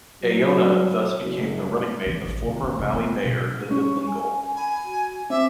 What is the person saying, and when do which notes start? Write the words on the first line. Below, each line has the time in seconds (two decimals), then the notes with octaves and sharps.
Aiona thus became the running mate of former Maui Mayor Linda Lingle.
0.22 F#3
1.19 F#1
2.06 E3
2.25 A1
2.49 D#3
2.64 D4
2.79 F1
2.93 B3
3.24 B2
3.71 C#4 C#6
4.07 G#5
4.56 G#5 B5
4.84 F#4
5.30 C4 E5 D6